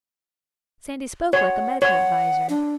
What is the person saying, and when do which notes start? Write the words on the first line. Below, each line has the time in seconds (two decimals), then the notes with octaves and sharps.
Sandy spoke like a medical adviser.
1.33 C#5 F#5
1.82 C#5 F#5
2.50 D4